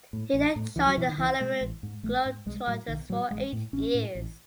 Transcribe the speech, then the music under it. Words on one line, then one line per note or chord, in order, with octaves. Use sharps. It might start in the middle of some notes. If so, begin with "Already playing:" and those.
He then joined the Harlem Globetrotters for eight years.
A2
A1
A2
C#2 E3
F#3
B2 E3
D#3
C#2 E3
B2 G#3
A1
G#2
A1 A3
G#2
B1 G#3
A2 F#3
B1 D#3
A2 F#3
A1 G#3
A2
A1 C#4
A2
A1